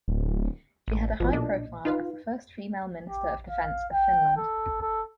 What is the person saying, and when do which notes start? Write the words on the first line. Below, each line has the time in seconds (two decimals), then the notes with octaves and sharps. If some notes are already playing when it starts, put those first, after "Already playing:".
She had a high profile as the first female Minister of Defence of Finland.
0.08 D1
0.88 A1
1.20 G#1 B2 F3
1.33 B1 A#2 D4 D#5
1.85 D#4 F4 B4 F5
3.09 G4
3.49 F5
3.92 G5
4.37 A4
4.81 A4